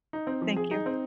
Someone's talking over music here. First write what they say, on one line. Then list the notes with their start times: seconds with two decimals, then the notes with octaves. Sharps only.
Thank you.
0.13 D#4
0.27 C4
0.42 F3
0.56 G#4
0.71 D#4
0.86 C4